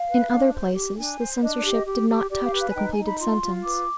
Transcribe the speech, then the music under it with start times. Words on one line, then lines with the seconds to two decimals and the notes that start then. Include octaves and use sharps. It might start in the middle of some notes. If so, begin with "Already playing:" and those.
In other places the censorship did not touch the completed sentence.
Already playing: F5
0.09 B4
0.31 D4
0.53 C5
0.75 G4
0.97 D4 G#5
1.20 C5
1.42 D4 D#5
1.57 D5
1.64 G4
1.72 D#5
1.86 G4
2.09 G4
2.30 G4 D5
2.45 F5
2.53 B4
2.61 F5
2.71 G#5
2.75 D#4 G5
2.91 G#5
2.98 D#4
3.06 B5
3.19 F4 C6
3.42 F4
3.64 B4 D6